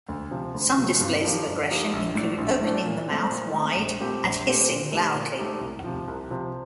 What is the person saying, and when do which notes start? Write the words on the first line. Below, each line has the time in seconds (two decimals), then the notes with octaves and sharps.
Some displays of aggression include opening the mouth wide and hissing loudly.
0.08 D2
0.31 C3 F3
0.54 D2
0.77 C3 F3
1.00 G2
1.23 F3 A#3 D#4 G4
1.47 G2
1.70 F3 A#3 D#4 G4
1.93 A#1
2.15 A2 A3 D4
2.38 A#1
2.61 A2 A3 D4
2.85 A#2
3.07 A3 C4
3.31 A#2
3.54 A3 C4
3.77 A#1
4.00 A#2 A3 C4 G4
4.23 A#1
4.47 A#2 A3 C4 G4
4.70 A#2
4.92 A3 D#4 G4
5.15 A#2
5.39 A3 D#4 G4
5.61 C2
5.84 C3 F3
6.08 C2
6.30 C3 F3